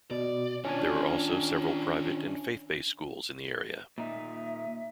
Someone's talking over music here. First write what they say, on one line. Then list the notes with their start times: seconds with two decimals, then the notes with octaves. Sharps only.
There are also several private and faith-based schools in the area.
0.11 B2 D5
0.65 D#3 C#4 D4 F4 G#5
3.98 A#2 D#4 E5